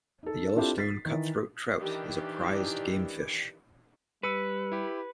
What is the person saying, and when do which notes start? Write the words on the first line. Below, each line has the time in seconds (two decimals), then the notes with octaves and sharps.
The Yellowstone cutthroat trout is a prized game fish.
0.23 D#4 A4
0.56 C4 D4 E4 F4 G4 A4
0.78 A6 B6 C7
1.05 D#3 E3
1.79 D#3 E3 D4 G4
4.23 G3 B4 E6 C#7 D#7
4.72 E4 G4